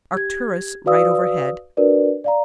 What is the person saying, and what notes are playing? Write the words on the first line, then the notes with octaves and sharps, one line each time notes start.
Arcturus right overhead.
G4 G#6
F#4 B4 D5 F5 D#6 E6
D4 F#4 A#4 B4 D5
D5 F5 A#5